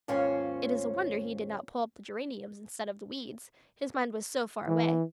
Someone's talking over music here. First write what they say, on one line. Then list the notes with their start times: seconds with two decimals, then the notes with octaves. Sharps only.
It is a wonder he did not pull up geraniums instead of weeds, his mind was so far away.
0.08 D#2 G#2 C#4 F4 C5 C#5
4.68 E3